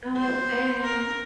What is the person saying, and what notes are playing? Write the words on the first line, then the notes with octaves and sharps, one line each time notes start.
Uh, same.
C5
A#4